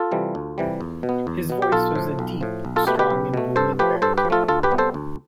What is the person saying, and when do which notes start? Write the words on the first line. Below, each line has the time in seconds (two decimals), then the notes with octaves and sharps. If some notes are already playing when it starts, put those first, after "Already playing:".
His voice was a deep, strong and booming baritone.
Already playing: F4 A4
0.11 C3 E3 G3
0.35 D2
0.58 C3 E3 G3
0.81 E2
1.03 B2
1.09 B3
1.27 E2
1.50 B2 B3
1.62 G4
1.72 B1 F4 A4
1.95 A2 F3
2.19 B1
2.41 A2 F3
2.65 B1
2.76 F4 A4
2.87 B2 A3 G4 B4
2.99 G4 B4
3.10 B1
3.34 B2 A3
3.56 G2 A4 C5
3.79 F3 A3 G4 B4
4.02 G2 A4 C5
4.18 G4 B4
4.25 F3
4.30 A3 F4 A4
4.48 D2 F4 A4
4.63 G4 B4
4.71 C3 G3 B3
4.78 A4 C5
4.94 D2